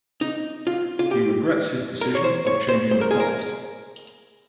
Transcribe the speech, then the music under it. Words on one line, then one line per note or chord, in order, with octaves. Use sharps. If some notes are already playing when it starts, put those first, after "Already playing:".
He regrets his decision of changing the past.
D#4
F4
F4
G4
A#4
C#5
C5
C#5
C5
C5
A#4
G#4
A#4